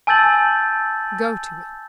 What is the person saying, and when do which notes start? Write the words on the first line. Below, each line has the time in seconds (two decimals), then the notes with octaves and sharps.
"Go to it."
0.07 G#5 A5 E6 G6 A6 F#7